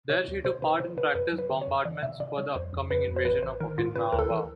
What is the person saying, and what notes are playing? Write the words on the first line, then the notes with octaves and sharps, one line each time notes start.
There she took part in practice bombardments for the upcoming invasion of Okinawa.
C3 C#5
D2
C3 C5
C3 B4
C3 C5
C3 B4
F#2 B4
F#3
B4
D3
C#5
F#2
E3 D5
C3 E5
C3 D5
G3 C#5
F2 C5
F2
F2 B4
F2
C5
A1 B4
A1 C5
D#3 A#4
G#2 F4
C#3 B4
D2 A#4
A4
E3